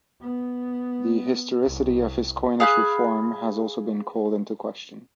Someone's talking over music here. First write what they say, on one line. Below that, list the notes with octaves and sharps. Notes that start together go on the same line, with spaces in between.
The historicity of his coinage reform has also been called into question.
B3
C2
G#4 F5 B5 F#6